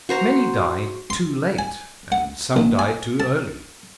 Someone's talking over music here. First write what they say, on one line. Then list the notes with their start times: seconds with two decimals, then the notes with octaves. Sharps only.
Many die too late, and some die too early.
0.09 F#4 C5 A#5
1.10 C6
1.59 G#5
2.12 F#5
2.56 A#1
2.79 G#5
3.20 A5